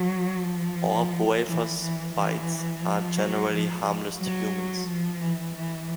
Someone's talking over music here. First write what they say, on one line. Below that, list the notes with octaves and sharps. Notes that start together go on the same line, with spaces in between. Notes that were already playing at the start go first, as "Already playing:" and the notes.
Orb-weavers' bites are generally harmless to humans.
Already playing: F#3
F3
E3
E3
E3
F3
F#3
F3
F#3
F3
E3
E3